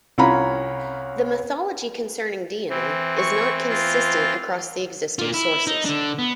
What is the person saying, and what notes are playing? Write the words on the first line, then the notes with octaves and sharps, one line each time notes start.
The mythology concerning Dione is not consistent across the existing sources.
C2 C#4 F4 C#5 A#5 B5
E3 C4
C#6
F4
A#3 F4
E4
D#4
D3 D4
B3